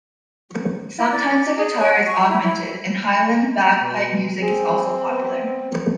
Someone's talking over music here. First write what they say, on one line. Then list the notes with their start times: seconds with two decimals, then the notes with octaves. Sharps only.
Sometimes a guitar is augmented, and Highland bagpipe music is also popular.
0.98 E4
1.12 D5
1.58 G#4
1.78 C#5
1.92 F#5
2.06 C#6
2.29 E4
2.44 E4
3.82 B2
4.41 C4 G#4
5.07 B3